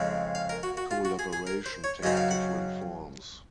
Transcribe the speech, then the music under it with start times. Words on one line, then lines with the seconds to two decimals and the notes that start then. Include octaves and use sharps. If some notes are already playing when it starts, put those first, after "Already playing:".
Collaboration takes different forms.
Already playing: F2 C#3 G#3 C4 D#4
0.35 F5
0.49 A#4
0.63 F#4
0.77 F#4
0.91 F4
1.05 F#4
1.19 G#4
1.33 G#4
1.47 A#4
1.66 C5
1.84 C#5
2.03 F#2 C#3 F#3 C4 D#4 D#5
2.17 F5
2.31 F#5